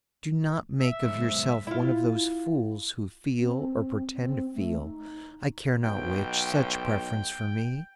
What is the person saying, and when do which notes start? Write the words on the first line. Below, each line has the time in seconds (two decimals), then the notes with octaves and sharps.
Do not make of yourself one of those fools who feel, or pretend to feel, I care not which, such preference for me.
0.80 E5
1.05 B1 G#2
1.67 E4 F4
3.40 C4
3.61 C4
4.18 C4
4.54 A3
4.84 D#4
5.83 B1 G5